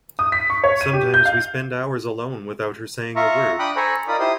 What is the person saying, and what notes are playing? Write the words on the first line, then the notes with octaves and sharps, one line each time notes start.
Sometimes we spend hours alone without her saying a word.
D#6
B6
C#6
C#5
D#7
G4
G6
F5
F4 E5 A#5 C#6
D4 G5 B5 D#6 F#6
A4 C5 G#5 A#5 B5 C#6
D#4 F4 A#4 D5 B5 D#6
E4 G4 C5 C6 D#6